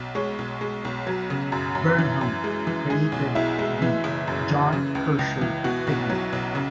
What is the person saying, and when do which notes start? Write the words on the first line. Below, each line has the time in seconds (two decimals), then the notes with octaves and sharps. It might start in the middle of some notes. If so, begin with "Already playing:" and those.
Burnham created the "John Herschel" figure.
Already playing: B1
0.15 G#3 C#5
0.39 B1
0.61 G#3
0.85 B1
1.07 F#3
1.30 C#3
1.52 F#2
1.75 F#2
1.98 E3
2.21 F#2
2.44 G#3
2.67 E3
2.90 G#3 G#4
3.12 B1
3.35 B1 E4
3.58 G#3
3.82 E3
4.04 F#1
4.28 F#2
4.50 E3
4.73 C#3
4.95 C#2
5.19 C#2
5.41 E3
5.64 B2 F#4
5.87 B1
6.09 F#3
6.33 B1
6.55 C#3